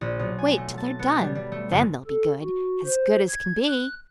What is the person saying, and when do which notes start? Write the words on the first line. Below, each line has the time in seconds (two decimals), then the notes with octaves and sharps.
"Wait till they're done; then they'll be good--as good as can be!"
0.01 A#1
0.19 B1
0.39 G#5
0.57 A3
0.78 A5
0.99 B3
1.20 G3
1.35 G3
1.52 A3
1.71 G1
2.07 A4
2.42 F#4
2.85 C5
3.28 G#6
3.67 F#6